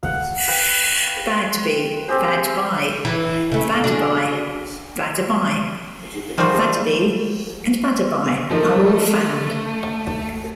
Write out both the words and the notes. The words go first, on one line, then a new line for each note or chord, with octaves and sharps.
Badby, Badbye, Baddebi, Baddeby, Badebi and Badeby are all found.
F5 F#5
B4 F5 G5
C4 G4 G#4 C5
E3
C#3 A3
D4 F#4 G#4
D#3 F3 G3 F#4 G#4 C5
F3 A3 D#4 A#4